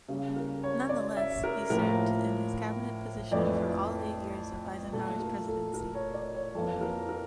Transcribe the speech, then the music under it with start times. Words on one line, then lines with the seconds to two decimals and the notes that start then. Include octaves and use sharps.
Nonetheless, he served in his cabinet position for all eight years of Eisenhower's presidency.
0.08 C#3 G3 A#3
0.36 A#4
0.63 C#5
0.89 D5
1.17 E5
1.44 A#4
1.70 A2 F3 A#3 A#4
3.31 F2 E3 A3 D5
4.93 A#2 A3 A4
5.20 A#4
5.47 A4
5.74 A#4
5.95 C#5
6.14 D5
6.35 C#5
6.55 F2 E3 A#3 A4
6.81 A#4
7.09 A#4